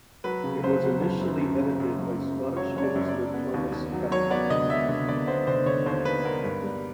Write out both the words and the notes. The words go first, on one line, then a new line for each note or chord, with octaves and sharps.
It was initially edited by Scottish minister Thomas Guthrie.
F#3 B4
C#3
F#1 C5
F#3
F#1
F#2
F#2
C#3
F#2
F#1
F#2
C#3
F#3 C#5
F#1 C#5
D5
F#2
D5
F#2
B3
D#2
D#2
F#3
F#3 C#5
B3 D5
D3 D#5
B3 E5
D3
D3 D5
B3 C5
D3 C5
D3 C#5
D#2 C5
D#2 B4
B3 A#4
G2
G3